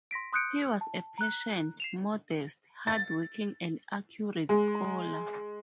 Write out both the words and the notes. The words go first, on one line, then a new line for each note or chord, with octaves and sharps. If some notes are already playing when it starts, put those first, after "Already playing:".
He was a patient, modest, hard-working and accurate scholar.
C6 A#6 B6 D7
C6 D#6 F#6 G6 C#7 D7
A5
A#5 F#6
C7 E7 F7
A6
G#3